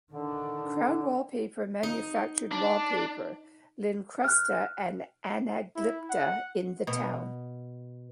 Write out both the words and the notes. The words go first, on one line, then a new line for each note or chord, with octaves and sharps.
Crown Wallpaper manufactured wallpaper, Lincrusta and Anaglypta in the town.
D3 D#3 D4
D#4
D4
F6 F#6
E4
F#5
B2